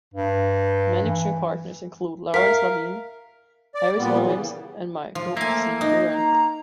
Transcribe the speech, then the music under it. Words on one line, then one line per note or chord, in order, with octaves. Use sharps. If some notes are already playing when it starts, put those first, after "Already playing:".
Managing partners include Lawrence Lavine, Harris Williams and Michael C. Duran.
G2
E3
A#4 E5 F5 B6
D5
A#2 G3 B3
C#3 E3
F3
A3 A#3 E5 G#5
D#4 D#5
A#5